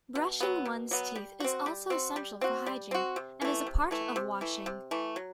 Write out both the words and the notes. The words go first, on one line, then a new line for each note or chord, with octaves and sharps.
Brushing one's teeth is also essential for hygiene and is a part of washing.
B2
F#3 B3
B2
F#3 B3
G3
C4 F#4
G3
C4 F#4
G3
C4 F#4
G3
C4 F#4
C3
E3 A3
C3
E3 A3
C3
E3 A3
C3
E3 A3
F#3